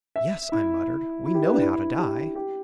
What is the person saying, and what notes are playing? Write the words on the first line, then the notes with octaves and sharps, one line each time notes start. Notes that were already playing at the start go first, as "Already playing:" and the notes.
"Yes," I muttered, "we know how to die!"
E5
E4
E4
G4
B4
D4
E4
G4
G4